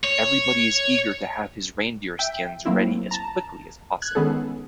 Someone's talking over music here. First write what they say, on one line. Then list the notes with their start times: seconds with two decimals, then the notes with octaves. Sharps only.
Everybody is eager to have his reindeer-skins ready as quickly as possible.
0.04 C#5
2.19 E5 G5
2.65 F#3 A3 A#3 C4 E4
3.11 A5 A#5
4.02 F#6 G#6
4.15 D#3 G#3 B3 C#4 G#4 A4